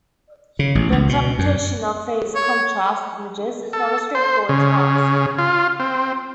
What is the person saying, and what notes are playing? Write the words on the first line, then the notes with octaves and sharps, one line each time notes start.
The interpretation of phase-contrast images is not a straightforward task.
C#3
A1
C#2
B2
F#2
C#5
A4
C5
C#3
F4
C4